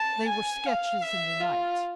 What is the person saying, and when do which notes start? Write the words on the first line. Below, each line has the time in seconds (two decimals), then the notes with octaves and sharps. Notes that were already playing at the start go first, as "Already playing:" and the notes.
They were sketches in the night.
Already playing: A5
0.28 G#5
0.65 F5
1.03 E5
1.40 F4